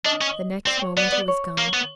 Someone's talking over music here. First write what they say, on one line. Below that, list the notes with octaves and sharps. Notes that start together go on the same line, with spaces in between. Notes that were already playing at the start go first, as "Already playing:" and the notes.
The next moment he was gone.
D4 D#5
C#4
C4 D5
C#5
B3 D5
D5
C#5
A#3
B3